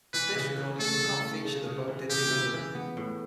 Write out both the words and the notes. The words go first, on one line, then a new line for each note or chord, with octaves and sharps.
This recording does not feature the Bo Diddley rhythm.
E3 B4
C#3
E3
A3 A4
C#3
A3
C#3
C#3
E3
C#3 G4
E4
E3
B3
A2